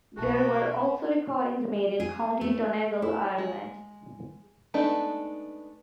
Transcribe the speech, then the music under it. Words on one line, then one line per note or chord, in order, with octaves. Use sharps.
There were also recordings made in County Donegal, Ireland.
B1 A3 F#4 G#4 A5
G#4
A3
E4
G#3
G#3 A3 B3 D4 D#4